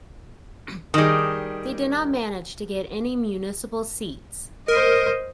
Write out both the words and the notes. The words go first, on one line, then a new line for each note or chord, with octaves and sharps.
They did not manage to get any municipal seats.
D#3 G3 G#4 D#5 D#6
A#4 C5 D#5